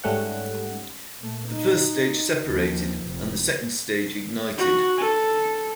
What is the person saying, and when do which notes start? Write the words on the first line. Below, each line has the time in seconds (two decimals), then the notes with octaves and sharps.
The first stage separated and the second stage ignited.
0.04 G#2 G3 A3 C#4 F#5
1.19 A#2 A3
1.49 D#4
2.46 D#2 F3
3.05 F1
4.58 F#4
4.98 A4